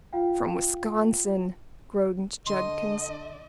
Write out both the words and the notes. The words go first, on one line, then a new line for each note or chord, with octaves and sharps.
"From Wisconsin!" groaned Judkins.
F4 F5 G5
D3 D#5 C6